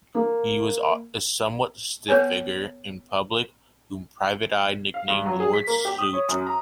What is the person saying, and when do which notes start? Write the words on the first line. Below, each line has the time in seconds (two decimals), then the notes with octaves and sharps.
He was a somewhat stiff figure in public whom Private Eye nicknamed 'Lord Suit'.
0.15 A#3
2.08 B3 A4 B4 C#5 G#5
4.94 F5
5.08 G2
5.26 F#3
5.40 G#4
5.53 B6
5.67 A#3
5.85 G4
5.98 D#6
6.13 C#5
6.29 F#2
6.47 A#5